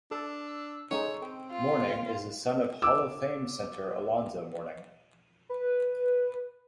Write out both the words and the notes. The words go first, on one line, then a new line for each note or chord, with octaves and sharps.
Mourning is the son of Hall of Fame center Alonzo Mourning.
D4 A4
E6
G#3 C#4 D#4 A4 C#5
C4 G5
F4
D6 E6
B4